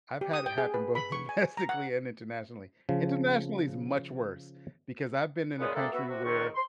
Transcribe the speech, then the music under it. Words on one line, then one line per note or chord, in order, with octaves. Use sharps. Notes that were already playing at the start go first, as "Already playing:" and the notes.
I've had it happen both domestically and internationally. Internationally is much worse because I've been in a country where
G4
D#6
G5
G#4
B4
B5
C#6
G#5
A#5
F#5
C#3 F3
A#2 C#3 G#3 B3
A3 A#3 C4 D4 G#4 A4
B3 F#4 E5
C3 F#4
C#2 D#3 C4 C#6
C6